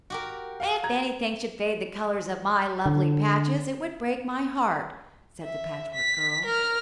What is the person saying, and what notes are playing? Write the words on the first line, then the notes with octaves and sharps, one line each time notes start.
"If anything should fade the colors of my lovely patches it would break my heart," said the Patchwork Girl.
F#4 G4 A#4
F5
A#5 G#6
D3
E5
B6
A#4 F6